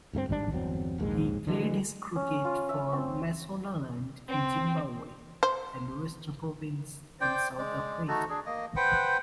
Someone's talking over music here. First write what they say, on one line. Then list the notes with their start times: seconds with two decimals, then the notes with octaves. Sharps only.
He played his cricket for Mashonaland in Zimbabwe and Western Province in South Africa.
0.13 D2 G2 G#3 C4
0.29 G#1 G#2 G3 D4
0.51 G1 E2 F#3 C4
0.98 A#1 D#2 G#2 G#3
1.47 D3 E3 F#3 G#3
2.16 C#4
2.45 F4
2.69 E5
2.93 C4
4.28 C4
5.43 C5
7.21 C5 D5 G5
7.58 G#3 D5
8.08 A3 D#4 F#4 A4
8.30 D4 G#4
8.46 A#3 D#5
8.76 B4 C5 F#5 G5